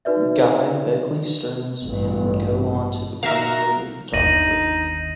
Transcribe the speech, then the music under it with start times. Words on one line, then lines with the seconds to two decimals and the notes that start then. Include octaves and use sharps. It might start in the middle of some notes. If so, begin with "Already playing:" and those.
Guy Beckley Stearns and would go on to become a noted photographer.
0.05 D#4 F#4 B4 D5 E5
1.84 A1 G2
3.23 D#4 F#4 A#4 E5 F5 A#5
4.13 G1 D#2 D#4 A#6 D#7 F#7